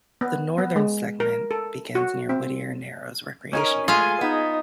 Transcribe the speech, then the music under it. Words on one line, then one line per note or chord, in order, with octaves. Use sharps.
The northern segment begins near Whittier Narrows Recreation Area.
B3
B3
G#3
A#4
A4
F#4
C4
C#4 D#4 F4 A#4 G#5
G#3 A3 F4 G#4 F5 G#5 C6
B3 D#4 D#5